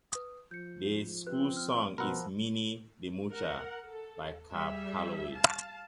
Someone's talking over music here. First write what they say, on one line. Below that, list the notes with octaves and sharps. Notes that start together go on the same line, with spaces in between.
The school song is "Minnie the Moocher" by Cab Calloway.
B4 D#6
F3 G6 C#7
C4 G4 B4 F#6
F6
B2 F3 A#4 F#5 B5 C6 E6
A#4 F#5
A4
G3 G#4 E5
F5 A5